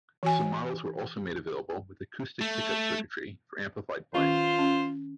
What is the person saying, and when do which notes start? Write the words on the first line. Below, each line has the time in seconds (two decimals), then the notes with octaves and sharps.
Some models were also made available with acoustic pickup circuitry for amplified playing.
0.23 E3 F#4 G#5
2.42 A3
4.15 D#3 C#4 F4 C5 C#6
4.59 C#4